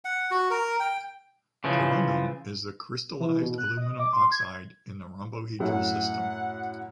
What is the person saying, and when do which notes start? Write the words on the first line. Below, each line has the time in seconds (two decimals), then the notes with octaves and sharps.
Corundum is the crystallized aluminum oxide in the rhombohedral system.
0.05 F#5
0.31 F#4
0.50 A#4
0.80 G5
1.64 C#3 E3 F3
3.20 E3
3.42 B2
3.58 F#6
3.77 D#5
4.00 D6
4.13 C6
4.32 G#6
5.60 F#2 A2 F#5